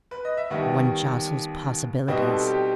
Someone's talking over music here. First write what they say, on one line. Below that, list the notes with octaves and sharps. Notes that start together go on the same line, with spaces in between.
One jostles possibilities.
B4
D#5
E5
D#2 D#3 G3 B3
B2 G3 C4 D#4 B4
A4
G4